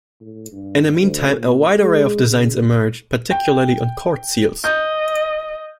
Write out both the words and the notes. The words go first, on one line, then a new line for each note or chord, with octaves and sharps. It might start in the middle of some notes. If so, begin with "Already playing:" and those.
In the meantime, a wide array of designs emerged, particularly on court seals.
A2
G2
D2
A#2
G#3
C#3
G5
D#5 G6